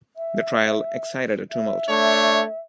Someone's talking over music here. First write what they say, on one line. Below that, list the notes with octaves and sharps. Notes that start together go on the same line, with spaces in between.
The trial excited a tumult.
E5
E5
A3 D4 C#5